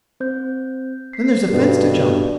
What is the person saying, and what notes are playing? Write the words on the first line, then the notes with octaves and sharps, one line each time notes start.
Then there's a fence to jump.
C4 C5 G6
B6 C7
G2 B2 A4 B4